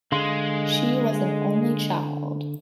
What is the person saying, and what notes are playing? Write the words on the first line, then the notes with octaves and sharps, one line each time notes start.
She was an only child.
D3 G#3 F5 C6